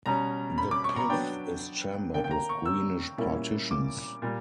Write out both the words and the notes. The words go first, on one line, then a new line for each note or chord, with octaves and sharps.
The pith is chambered with greenish partitions.
B2 G3 C#4 A#5
B5
D6
C#6
A#5
F#3 B3 D4 G5
D3 A#3 D4 G5
G5
A#5
C#6
E6
A#2 G3 A#3 C#4 E4
D6
A#2 G3